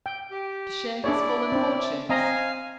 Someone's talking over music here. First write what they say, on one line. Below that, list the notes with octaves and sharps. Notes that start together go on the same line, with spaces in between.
"To share his fallen fortunes?"
G5
G4
D4 E4 G#4 C#5 D5
C4 D4
C4 D#5 F5 G#5 A#5